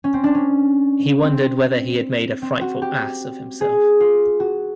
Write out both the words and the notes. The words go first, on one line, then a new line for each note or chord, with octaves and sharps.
He wondered whether he had made a frightful ass of himself.
C#4
C4
D4
C#4
C4
C4
F#4
G4
G#4
F4
F#4